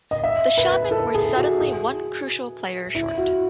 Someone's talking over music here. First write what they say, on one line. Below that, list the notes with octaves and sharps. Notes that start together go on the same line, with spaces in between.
The Shamen were suddenly one crucial player short.
D#5
E5
B4
B4
A4
G#4
F#4
G#4
E4
F#4